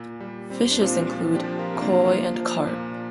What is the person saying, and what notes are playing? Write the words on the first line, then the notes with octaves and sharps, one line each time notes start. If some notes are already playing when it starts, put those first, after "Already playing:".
Fishes include koi and carp.
Already playing: A#2
G3
G3 C4
D4
A#2 C4 F4
F3 C4 F4
D4 G4
F3
F4 A#4
C3 F4
A#3 D4
F3
F3
A#2